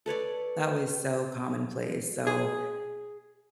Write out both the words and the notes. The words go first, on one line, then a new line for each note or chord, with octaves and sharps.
that was so commonplace, so
A4 B4 C#5 D5
G#4